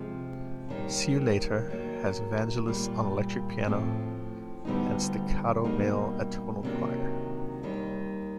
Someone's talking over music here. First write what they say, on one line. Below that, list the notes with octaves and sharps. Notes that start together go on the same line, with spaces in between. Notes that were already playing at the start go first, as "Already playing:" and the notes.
"See You Later" has Vangelis on electric piano and staccato male atonal choir.
Already playing: C3 F3 G#3
D#2 D#3 G3
D#3 F#3 A#3
A#2 G3 A#3
A2 F3 A3 C4
D2 D3 G3 B3 D#4
B2 G3 A#3 D#4
C3 D#3 F#3 A#3 D4
D#2 D#3 G3